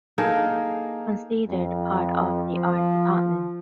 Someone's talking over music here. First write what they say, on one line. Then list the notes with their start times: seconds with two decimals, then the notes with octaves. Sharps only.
Considered part of the art department.
0.18 A#3 D#4 G#4 A4
1.48 F2
2.53 F3